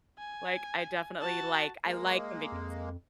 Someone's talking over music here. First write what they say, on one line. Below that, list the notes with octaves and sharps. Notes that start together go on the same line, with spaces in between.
Like I definitely like, I like convenience.
G#5
F#4 A5
G#3 A#3
F2